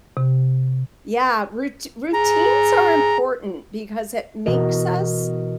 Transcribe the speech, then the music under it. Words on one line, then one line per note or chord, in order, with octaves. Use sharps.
Yeah, rout routines are important because it makes us,
C3
G#4 A#5
B2 E3 F#4 A#4 D#5